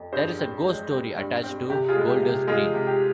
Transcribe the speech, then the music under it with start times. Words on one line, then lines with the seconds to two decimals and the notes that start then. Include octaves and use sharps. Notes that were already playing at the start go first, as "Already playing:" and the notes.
There is a ghost story attached to Golders Green.
Already playing: F2
0.12 G2 G#4 C5
0.39 C4
0.65 G#3
0.91 C4
1.17 G2
1.44 C4
1.69 C3 G4
1.88 F4 G#4
1.96 G#3
2.01 F4
2.09 G4
2.22 C3
2.28 G4
2.47 G#3 F4 G#4
2.74 C3
2.87 G4